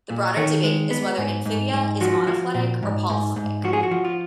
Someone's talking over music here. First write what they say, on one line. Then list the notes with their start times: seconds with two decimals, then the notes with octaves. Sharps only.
The broader debate is whether "Amphibia" is monophyletic or polypheletic.
0.10 A#2
0.37 D#3 C#5
0.64 G#3
0.91 B3
1.18 G#2
1.45 G#2
1.73 G#2
2.01 F3 F#4
2.27 F3
2.54 A#2
2.83 G#2
3.10 G#2
3.36 G#2
3.64 F3 F#4
3.73 G#4
3.83 F#4
3.91 F3
4.05 F4